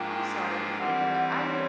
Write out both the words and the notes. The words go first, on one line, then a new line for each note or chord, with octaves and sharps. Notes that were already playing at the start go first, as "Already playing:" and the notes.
I'm sorry to hear that, I h
Already playing: G#2 F3 A#3 D4 F4 G5
G5
E3 G3 C4 F#5
C#5